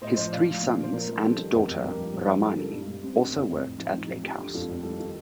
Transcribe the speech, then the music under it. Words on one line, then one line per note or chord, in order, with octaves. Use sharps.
His three sons and daughter Ramani also worked at Lake House.
A2 C5 D#5
F3 C5 D#5
A2 D5 F5
F3
A#2
F3
C5
A#2 A#4 D5
F3
G3 A4 C5
D#3
F2 G4 A#4
F2
G2 G4 A#4
F3
G2
F3
G3 A4
A#4
D3 F4 A4
G2 D#4 G4
G2
G3 C4
D#3 D4
C4
F2
F2
A2
F3 C4 D#4
A2 C4 D#4
F3
F3 D#4 G4
D3
F2 F4 A4
F2
G3 F4 A4
D#3 F4 A4